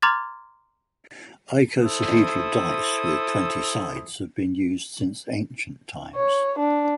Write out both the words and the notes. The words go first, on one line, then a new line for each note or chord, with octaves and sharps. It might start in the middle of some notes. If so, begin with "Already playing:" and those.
Icosahedral dice with twenty sides have been used since ancient times.
A#5 C6 D6 F6 G#6 A6
E4 A4 C5 D#6
C#5
D4